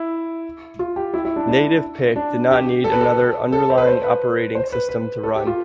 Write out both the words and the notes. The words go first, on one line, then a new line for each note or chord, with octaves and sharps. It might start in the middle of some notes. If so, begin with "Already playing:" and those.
Native Pick did not need another underlying operating system to run.
Already playing: E4
F4
G4
E4
E4
D4
D4
D4
G4
A4
B4
A4
A4
C5
B4
C5
B4
C5
B4
B4
A4
G4
F4